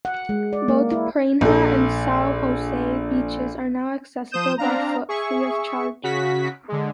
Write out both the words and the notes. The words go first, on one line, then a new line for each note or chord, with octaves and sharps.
Both Prainha and Sao Jose beaches are now accessible by foot, free of charge.
F#5
G#3
D5
A#3
E4
A#1 A4
F3 C5 D#6 G6 E7
C4 D4 F5 A#5
G#4 E5 C#6
C#3 F#4 B6
D3 G#3